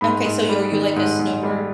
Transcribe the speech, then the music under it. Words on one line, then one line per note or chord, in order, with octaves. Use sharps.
Okay, so you're are you like a snowbird
G#2 B5
G#2
G3
D#3
G#2
G#2
G3